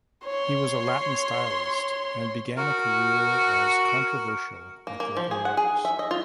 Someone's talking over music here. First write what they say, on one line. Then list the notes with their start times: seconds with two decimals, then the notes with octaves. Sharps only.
He was a Latin stylist, and began a career as controversial with Latin works.
0.25 C#5 C6
2.57 F#4 A#4
4.87 A#3
5.00 A#3
5.17 F3
5.31 G#4
5.45 F#5
5.57 G#4
5.85 E5
5.99 D#5
6.11 F4